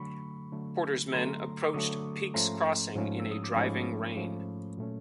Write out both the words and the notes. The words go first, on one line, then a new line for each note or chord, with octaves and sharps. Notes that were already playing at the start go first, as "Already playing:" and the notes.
Porter's men approached Peake's Crossing in a driving rain.
Already playing: D3 F#3 A3 B5 C#6
D3 F#3 A3
D3 F#3 A3 A#5 C6
D6
D3 F#3 A3 C#6 D#6
G#2 F3 A3 C#4 A#5 C6
G#2 F3 A3 C#4
E6
D#6
D6
G#2 F3 A3 C#4 B5 C#6
G#2 F3 A3 C#4
A#2 F#3 A3 C#4